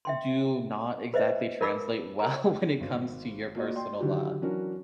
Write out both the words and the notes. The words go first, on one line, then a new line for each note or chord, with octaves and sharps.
do not exactly translate well when it comes to your personal, uh,
E5 G5 C6
B4 C5 D#5 E5
A#4 B4 A5 B5 D6 E6
A#4 A#5
G#1
A#3 F4 F#4 D5 D#5
D5 G5 C6
D3 D#3 F#3 E4 F#4 G4
E3 F#3 C#4 D4 F#4 A#4